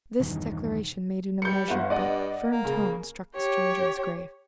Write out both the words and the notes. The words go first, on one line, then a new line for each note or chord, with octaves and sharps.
This declaration, made in a measured but firm tone, struck the stranger as grave.
B1 E2 G2 D#3
G3 G6 C#7
G1 F#5
G2 D5 D#5 F#5
A#3
C#3
G4 C#5